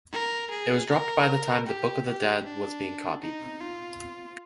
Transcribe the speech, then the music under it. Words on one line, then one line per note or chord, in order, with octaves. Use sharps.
It was dropped by the time the Book of the Dead was being copied.
A#4
G#4
A#4
G4
G4
D4
D#4
F4